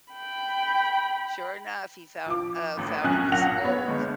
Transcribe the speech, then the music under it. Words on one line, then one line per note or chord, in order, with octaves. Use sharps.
sure enough, he found, uh, found a piece of gold.
G5 B5
F3 D6
A1 A2
A#1 F#2 C#4 G#5 F#6
B1 F#2 A#2 F#5 A#6 F7
B3 C#5
G1 G#3 B3